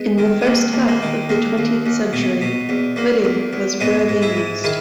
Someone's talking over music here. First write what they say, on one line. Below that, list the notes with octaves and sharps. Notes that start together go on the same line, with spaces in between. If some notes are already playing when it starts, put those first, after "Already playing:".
In the first half of the twentieth century, hooding was rarely used.
Already playing: G#3 B3
D#3
G#3
D#2 A#3
D#2
A#3
D#3
D#2 A#3
D#2
D#2
B2
B2
E2
E2 A#3
E2
E2
G#2 G#3 B3
G#2
E4 G#4
G#2
D#3 E4 G#4